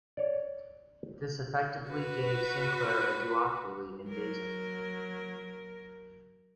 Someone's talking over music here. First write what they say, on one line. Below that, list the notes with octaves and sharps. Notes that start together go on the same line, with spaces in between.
This effectively gave Sinclair a duopoly in Dayton.
C#5 D5
F#4 B4
F#3 A#4